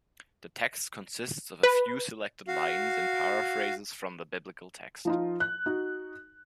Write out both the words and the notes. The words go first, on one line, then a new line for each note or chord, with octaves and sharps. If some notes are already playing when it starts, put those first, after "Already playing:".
The text consists of a few selected lines and paraphrases from the Biblical text.
B4
F#4 F5
F3 D#4 F4
F#6
D#4 F#4